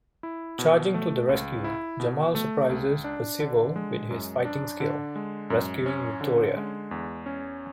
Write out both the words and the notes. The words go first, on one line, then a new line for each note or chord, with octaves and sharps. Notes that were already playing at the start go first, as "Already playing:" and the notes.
Charging to the rescue, Jamal surprises Percival with his fighting skills, rescuing Victoria.
E4
B2
A3
C#2
E4
B2
A3
C#2
D4
D3
G#3
F#2
D4
D3
G#3
F#2
C#4
D3
G#3
E2
C#4